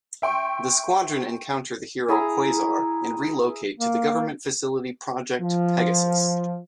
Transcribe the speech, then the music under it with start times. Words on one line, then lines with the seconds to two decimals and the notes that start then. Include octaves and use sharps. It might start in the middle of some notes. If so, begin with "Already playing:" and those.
The Squadron encounter the hero Quasar, and relocate to the government facility Project Pegasus.
0.22 E5 G5 C6 C#6
2.08 E4 G#4 F5 A#5
3.79 A#3
5.41 F3